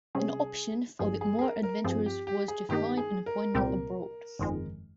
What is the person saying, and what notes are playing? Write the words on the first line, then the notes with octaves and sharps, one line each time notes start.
An option for the more adventurous was to find an appointment abroad.
C3 G3 C#4 G#4
G1 G2 F3 G#4
G#4
G#4
A#4
A#4
G2 F3 C4 G#4
G4
G4
G#4
G2 D#3 A#3 D#4 G4
G#4
A#4
C2 A#2 G3 C4 G4
G1 F2 D#3 G#3